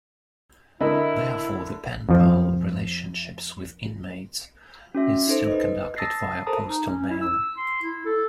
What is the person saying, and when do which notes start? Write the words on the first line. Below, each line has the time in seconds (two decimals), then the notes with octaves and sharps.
Therefore the pen pal relationships with inmates is still conducted via postal mail.
0.81 D3 E4 A#4 D#5 B5
2.09 F2 F3
4.95 C#4 F#4 E5
5.28 D#4 A4 C5
5.48 B4 D#5
5.96 A5 D#6 E6 A6 A#6 C7
6.46 A4 A#4 C5 A5 A#5 D#6
6.69 D#4
6.87 C#4
7.10 E4
7.21 E6
7.57 C6
7.82 E4
8.05 A4